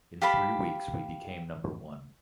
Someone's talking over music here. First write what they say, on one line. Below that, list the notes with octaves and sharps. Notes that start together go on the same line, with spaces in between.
In three weeks, we became number one.
G4 F5 A5 B5